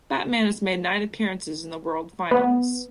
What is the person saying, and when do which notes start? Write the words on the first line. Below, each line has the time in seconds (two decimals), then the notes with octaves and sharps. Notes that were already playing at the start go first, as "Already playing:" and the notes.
Batman has made nine appearances in the World Finals.
2.31 B3